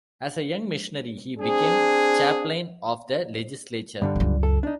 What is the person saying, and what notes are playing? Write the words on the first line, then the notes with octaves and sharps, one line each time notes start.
As a young missionary he became chaplain of the legislature.
C4 D4 G#4
G2 D3 G3
C#2 F#2
A4
D4 D#4